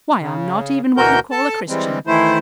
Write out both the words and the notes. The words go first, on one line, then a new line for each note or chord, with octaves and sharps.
Why, I'm not even what you'd call a Christian.
C#3
D2 B2 E3 F#4 A#4 G6
A4 A5
E3 G3 G#3 C4
D#3 E3 A3 E4 C5